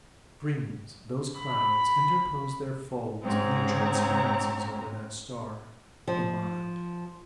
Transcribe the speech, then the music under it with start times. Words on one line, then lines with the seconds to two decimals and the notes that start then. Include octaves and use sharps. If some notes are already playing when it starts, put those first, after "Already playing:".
Dreams, those clouds, interpose their folds and their transparencies over that star, the mind.
1.37 B5
3.23 G#2 C4 C#4 A#5
6.07 F3